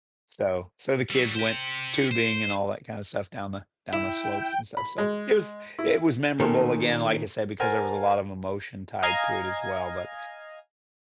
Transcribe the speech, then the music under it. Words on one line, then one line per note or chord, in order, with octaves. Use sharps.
So so the kids went tubing and all that kind of stuff down the down the slopes and stuff, so it was it was memorable again, like I said, because there was a lot of emotion tied to it as well, but
F#3 G3
G4 C5
C5
E4 G5
B5
G#3
E4
A#2 D#3 C#4 A4
A#4 C5 F#5 G#5 A5 F6
D#5 F5 G#5 A#5 G#6